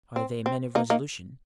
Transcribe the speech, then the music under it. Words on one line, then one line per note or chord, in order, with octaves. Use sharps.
"Are they men of resolution?"
C4
C4
A#3 D#4
A#3 D#4